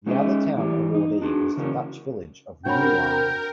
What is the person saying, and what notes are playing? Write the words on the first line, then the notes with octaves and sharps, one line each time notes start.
The other town awardee was the Dutch village of Nieuwlande.
G#3 C#4 D#4 G#4 D#5 E5
E3 G3
D#4
D4 F#4 G#4
C#3 E3 C#4 F#4 A#4
C3 D4 F#4 A#4 C#5 G5 B5